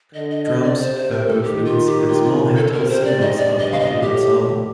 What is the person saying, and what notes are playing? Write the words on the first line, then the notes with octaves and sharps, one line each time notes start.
Drums, bamboo flutes and small hand-held cymbals are a popular ensemble.
D3 D#5
D#5
D#5
D5
C3 C5
C5
A#4
A4
D#3 G4
F4
G4
F4
F4
A4
C3 A#4
C5
D5
D#5
G2 D5
D#5
F5
D#5
A2 G4